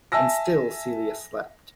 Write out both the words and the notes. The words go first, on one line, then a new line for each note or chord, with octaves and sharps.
And still Celia slept.
E5 G#5 A5 E6 A#6